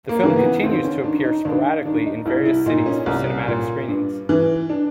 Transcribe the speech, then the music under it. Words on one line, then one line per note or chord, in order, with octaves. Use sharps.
The film continues to appear sporadically in various cities for cinematic screenings.
A#3
C#3 E3
A#3
B3
D#2 C4
C#4
D#3 D4
D#4
D#2 D4
D#3 D4
D#4
C2 E4
E4
A#2 D#4
C#4
C2
A#2
G2
E3
D4